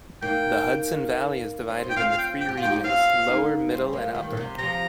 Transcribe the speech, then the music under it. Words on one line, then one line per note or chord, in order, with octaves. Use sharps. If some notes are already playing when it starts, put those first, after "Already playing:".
The Hudson Valley is divided into three regions: Lower, Middle, and Upper.
A#3 D#4 G5
C4
D#4
G5
C4 F4 F5
F5
G5
G5
G4
F4
G5
D#4 G4
D#4
C4 F4 F5
A#3 D#4
G3 C4
F3 A#3
D#3 G3
A#2
C3
C3 F3 A#5